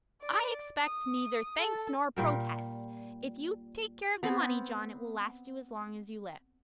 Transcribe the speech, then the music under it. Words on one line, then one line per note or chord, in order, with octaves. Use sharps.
"I expect neither thanks nor protests. If you take care of the money, John, it will last you as long as you live."
D5
D#6
A4 A5
A#2 G3 A#4
B3 C4